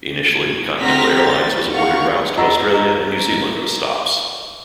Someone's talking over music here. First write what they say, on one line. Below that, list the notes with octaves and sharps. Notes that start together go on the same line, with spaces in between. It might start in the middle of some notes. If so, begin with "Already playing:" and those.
Initially, Continental Airlines was awarded routes to Australia and New Zealand with stops.
G#6
C4 F#5 A#5 F6 A#6 B6
A6
A#4 F5 F#5 C#6
F4 D#5 F#5 A#5 E6 A#6
G#4 D#5 A#5
A#4